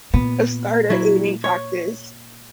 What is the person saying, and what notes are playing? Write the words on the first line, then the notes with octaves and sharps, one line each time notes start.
a starter aiming practice.
A#2 B3
F#3 E4
C#5